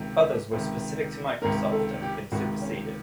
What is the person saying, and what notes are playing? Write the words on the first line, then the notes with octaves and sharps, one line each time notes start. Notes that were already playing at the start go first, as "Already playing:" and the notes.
Others were specific to Microsoft and have been superseded.
Already playing: C#2 C3 D#3
C#2 C3 D#3
C#2 C3 D#3 A#4
A4
G4
C#2 C3 D#3 F#4
C#4